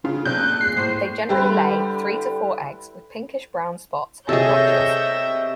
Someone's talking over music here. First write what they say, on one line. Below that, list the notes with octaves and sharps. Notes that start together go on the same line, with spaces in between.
They generally lay three to four eggs with pinkish brown spots and blotches.
C#3 F4
B1 A#3 C4 D5 F#6 G6
G#3 C7
A2 C5
D3 G3 E4 G4 B4 C5
C3 G#4 A4 C#5 D#5 E5 G6 A#6